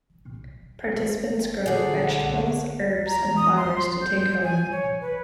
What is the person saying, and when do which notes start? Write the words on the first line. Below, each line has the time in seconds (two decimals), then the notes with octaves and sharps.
Participants grow vegetables, herbs, and flowers to take home.
1.66 D3 G#4 D5 F#5
3.07 A#5
3.37 D#6
3.57 C6
4.02 G6
4.43 G#5
4.72 C#5
5.01 B4